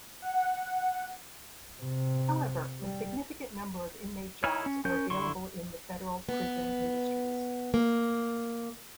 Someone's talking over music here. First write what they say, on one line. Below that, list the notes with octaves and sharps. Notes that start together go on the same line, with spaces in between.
However, a significant number of inmate jobs are available in the Federal Prison Industries.
F#5
C3
G3
D#4 E4 C#5 F6
C#4
C#4 A#4 G6
D3 E4 C6 C#6
B3
A#3